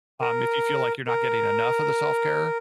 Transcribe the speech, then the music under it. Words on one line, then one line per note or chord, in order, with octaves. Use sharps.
um, if you feel like, you're not getting enough of the self-care,
A#4
A#4